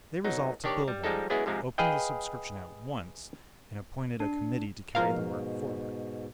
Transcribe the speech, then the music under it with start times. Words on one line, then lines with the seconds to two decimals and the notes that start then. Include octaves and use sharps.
They resolved to build one, opened the subscription at once, and appointed a committee to carry the work forward.
0.24 B1 F#3 D#4
0.64 D#3 D4 G4 C#5 D5
0.88 G3
1.04 F3 G3 G#3 D#4 A4
1.30 F#3 G#3 B3 C#4 E4 G#4
1.46 G#2 C3 F3 G#3
1.78 G#4 B4 D#5 F5 G5
4.20 D4
4.95 G#2 B2 F3 A#4 F5